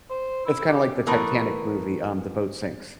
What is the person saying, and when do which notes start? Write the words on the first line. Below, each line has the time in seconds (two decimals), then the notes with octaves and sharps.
It's kinda like the Titanic movie, um, the boat sinks.
0.10 C5
0.46 E4
0.68 G4
1.07 E3 A3 B3 A#4 B4